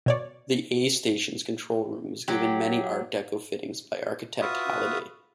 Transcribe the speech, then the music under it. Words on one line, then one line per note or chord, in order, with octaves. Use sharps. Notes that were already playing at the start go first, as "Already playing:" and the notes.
The A Station's control room was given many Art Deco fittings by architect Halliday.
B2 C#5 D5
F#3 G4
F4 F#4 B4 E5 D#6